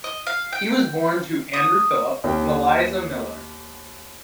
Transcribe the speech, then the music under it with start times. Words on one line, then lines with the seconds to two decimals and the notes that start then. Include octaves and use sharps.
He was born to Andrew Philp and Eliza Miller.
0.04 D#5
0.27 F5
0.53 G5
1.53 D#6
2.24 D#2 G5